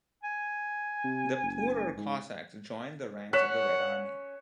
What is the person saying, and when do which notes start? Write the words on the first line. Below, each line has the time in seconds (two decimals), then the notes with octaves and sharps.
The poorer Cossacks joined the ranks of the Red Army.
0.23 G#5
1.04 C3
1.42 F#1
1.97 G#2
3.33 C#4 C#5 F#5 F#6 B6 E7